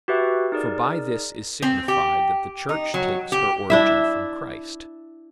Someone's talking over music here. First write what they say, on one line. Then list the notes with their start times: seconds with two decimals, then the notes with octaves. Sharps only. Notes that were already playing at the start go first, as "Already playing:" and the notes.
For by this is signified that the Church takes her origin from Christ.
0.08 F#4 G4 B4 E5
0.52 D#4 G#4 A#4 D5
1.62 C4
1.88 G4
2.69 D#4
2.94 F#3
3.32 G4
3.70 D4 E4 E5